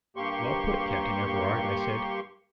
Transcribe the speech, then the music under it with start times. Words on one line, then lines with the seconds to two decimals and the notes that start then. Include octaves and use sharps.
"Well put, Captain Everard," I said.
0.16 G2 A#3 G4 C6 C#6